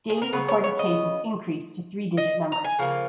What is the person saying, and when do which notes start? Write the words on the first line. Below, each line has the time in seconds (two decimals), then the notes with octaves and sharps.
Daily reported cases increased to three digit numbers.
0.10 G#4
0.22 A#4
0.33 C#3 F#3 B3 B4
0.48 C#5
0.64 C#5
0.79 D#5
2.17 D#5
2.52 A#5
2.64 G#5
2.79 C#3 F3 A#3